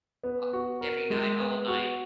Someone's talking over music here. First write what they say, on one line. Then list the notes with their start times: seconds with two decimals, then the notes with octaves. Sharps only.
a every night, all night.
0.23 B3
0.53 F#4
0.81 A#4
1.10 G#3
1.40 B3
1.68 F#4